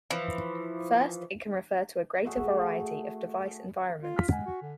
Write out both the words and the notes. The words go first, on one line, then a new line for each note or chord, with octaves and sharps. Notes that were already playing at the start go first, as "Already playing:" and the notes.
First, it can refer to a greater variety of device environments.
E3 F3
A3 F#4 G#4 E5
F4
F6 B6
G#3 F#5 G#5
F#4
D3